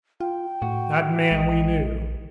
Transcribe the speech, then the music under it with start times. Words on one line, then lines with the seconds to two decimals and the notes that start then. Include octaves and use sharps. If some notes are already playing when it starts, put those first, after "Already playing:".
That man we knew.
0.20 F4 G5
0.62 A2 F#4
1.31 A#1 G#3 D#5